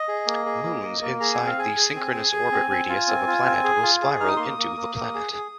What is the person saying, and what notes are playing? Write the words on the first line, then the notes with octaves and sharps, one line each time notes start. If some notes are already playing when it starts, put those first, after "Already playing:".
Moons inside the synchronous orbit radius of a planet will spiral into the planet.
Already playing: D#5
G#4
A#3
G#4
A#3
A#3
A#3
G#4 A#5
G#5
C4
F5
G#4 G#5
G#4
C4
G#4
G#4
C4
C4
F4
C4
F4
C4
G#4
F4
G#4
D#4 F6
D#6
A#3 C6
D#6
A#3
A#3
A#3
G#4
G#4